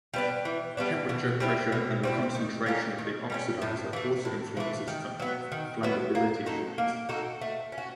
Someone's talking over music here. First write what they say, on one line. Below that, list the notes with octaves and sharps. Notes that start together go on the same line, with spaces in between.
Temperature, pressure, and the concentration of the oxidizer also influences flammability limits.
G3 B3 D4
E3
G3 B3 D4
B2
G3 C4 E4
B2
G3 C4 E4
D#3
G3 A#3 C#4
D#3
G3 A#3 C#4
A2
E3 A3
A2
E3 A3
D#3
F#3 B3
D#3
F#3 B3
A#3
D#4 F#4 A4
A#3
D#4 F#4 A4
A3
C#4
F#4